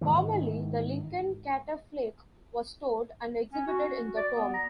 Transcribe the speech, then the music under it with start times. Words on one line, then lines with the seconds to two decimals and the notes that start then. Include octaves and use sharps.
Formerly, the Lincoln Catafalque was stored and exhibited in the tomb.
0.01 G#2 D#3 E3
3.53 C#4
3.67 F#4
4.17 D5
4.36 B3
4.54 A#5